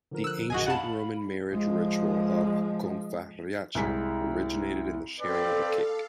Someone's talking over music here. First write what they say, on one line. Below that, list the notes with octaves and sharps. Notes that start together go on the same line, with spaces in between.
The Ancient Roman marriage ritual of "confarreatio" originated in the sharing of a cake.
D3 F3 A#4
E6 F#6
A#1 F#2 D#3 F#4 G#4 D#5 G#5
F5 F#5 A5 B5
F3 G#3
C2 G#3 G#5 B6
C4 A4 B4 D5 F5